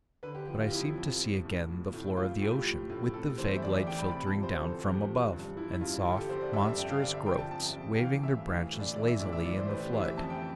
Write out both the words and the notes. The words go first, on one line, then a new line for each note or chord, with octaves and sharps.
But I seemed to see again the floor of the ocean, with the vague light filtering down from above, and soft, monstrous growths waving their branches lazily in the flood.
D3 B4
G4
F3 G4
F4
F2 E4
F2
F3
A2
F3
A2
F3 F4
A2 G4
F3
A2
C3 A4
E3 C5
E5
E2 D5
E5
E2 G5
B5
C3 B5
A5
F3
C5
E2 A4
E2 G4
F3
G2
F3 E4
E4
G2 F4
D3 F4
G4
A4
F3 C5
D5
G2 E5
E5
G2 G5
F5
D3 D5
E5
F3 G5
A5
F2 A5
A5
F2
G5
E3 F5
A2 E5
E3 F5
A2
D5
E3 D5
E5
A2 D5
E5
E3 D5
C5
A2 B4
G4
E3 C5
E5
F2 A5
G5